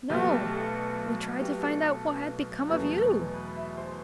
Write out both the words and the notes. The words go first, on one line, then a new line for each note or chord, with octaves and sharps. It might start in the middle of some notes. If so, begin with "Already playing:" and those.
"No; we tried to find out what had become of you."
B1 B2 A3 G4
G4
A4
G4
A4
A4
E2 B2 F#3 A3
B4
E5
C5